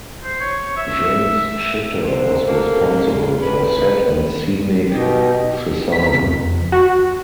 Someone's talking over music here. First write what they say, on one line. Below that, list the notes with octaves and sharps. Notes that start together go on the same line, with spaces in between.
James Schuette was responsible for set and scenic sesign.
C5
C#5
E5
D3 A3 C4 E4 C5
A#3 A4
F2 C3 G4
G#2 D3 C#4 F4
C#4 D4 B4
D#3 E4
B2 D#4 G4
B6
F2
F#4